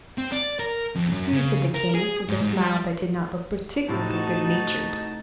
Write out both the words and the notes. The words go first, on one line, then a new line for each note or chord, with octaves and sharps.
"True," said the king, with a smile that did not look particularly good-natured.
C4
D5
A#4
F2
F#2
C#3
A#4
G#4
G#2
G#2
G3
A2 C3 D#4 F#4 A5